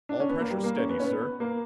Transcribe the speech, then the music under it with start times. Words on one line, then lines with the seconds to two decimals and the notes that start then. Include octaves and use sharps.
"All pressures steady, sir."
0.09 D4
0.20 C#4
0.29 B3
0.40 A#3
0.50 G3
0.64 A#3
0.77 C#4
0.90 B3
1.00 C#4
1.04 B3
1.21 B3
1.40 A#3